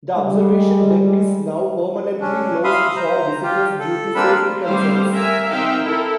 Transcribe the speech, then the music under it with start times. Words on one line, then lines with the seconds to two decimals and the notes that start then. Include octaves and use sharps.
The observation deck is now permanently closed for visitors due to safety concerns.
0.16 G3 G#3
2.21 C#4 D4
2.64 E5 F5 B5 C6 D#6
2.96 C5 A#5
3.43 F4 G4
3.80 A4
4.15 A#3 C4 D4 F4 B5 E6
4.66 G3 A3 C4 C5 F5
5.14 A#4 E5 G#5
5.50 C4 D#4 E5 F5 G5
5.85 E4 A4 A#4